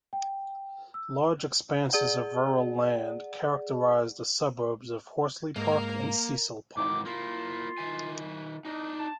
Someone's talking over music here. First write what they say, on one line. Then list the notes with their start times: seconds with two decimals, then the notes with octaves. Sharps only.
Large expanses of rural land characterise the suburbs of Horsley Park and Cecil Park.
0.13 G5
0.94 E6
1.93 G#4 D5 F#5
5.56 G#2 A#3 A#4
6.77 G#2 D#3 E3 D6
7.05 A#3 E4 F4
7.78 D#3 E5 G#5
8.65 D4 D#4
8.99 A5